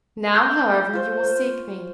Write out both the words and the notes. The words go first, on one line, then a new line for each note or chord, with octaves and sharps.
Now, however, you will seek me.
E5 G6
F4 C5 C#5